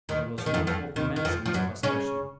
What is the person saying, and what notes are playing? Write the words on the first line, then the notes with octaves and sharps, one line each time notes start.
There was no open menace in his first question.
D#2 D#3
F3
D#3
F2 F3
F2 F3
D#2 D#3
D#3
F2 F3
F3
F#2 F#3
C#3 C#4